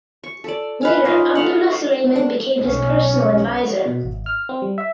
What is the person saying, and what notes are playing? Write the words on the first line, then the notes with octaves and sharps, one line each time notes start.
Later Abdullah Suleiman became his personal advisor.
C#6
A4 D5
B4 F5 G#5
C#4 D#4 F4
A4 F5 F#5
D4
B1 C#4
B2
G#1
F6
C4
G3
E5